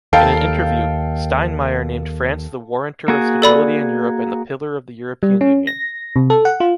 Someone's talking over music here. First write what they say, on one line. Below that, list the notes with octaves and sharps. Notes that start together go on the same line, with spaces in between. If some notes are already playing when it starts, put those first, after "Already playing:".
In an interview, Steinmeier named France the warrantor of stability in Europe and the pillar of the European Union.
D#2 A4 F5 G5
A#3 F#4 G#4
A4 D5 B5
G3
C#4
A#6
C3
A4
F#5
F4